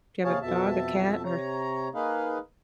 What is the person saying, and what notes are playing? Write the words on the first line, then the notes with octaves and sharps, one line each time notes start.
do you have a dog, a cat, or
D#2 C3 G#4 C#5 F5 A5
F2 B2 E5 A5
C3 C#5 A#5
A#3 D#4 G#4 B4 F5